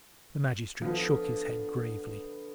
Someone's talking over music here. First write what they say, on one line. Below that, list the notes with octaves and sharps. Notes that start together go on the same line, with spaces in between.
The magistrate shook his head gravely.
D3 F3 B3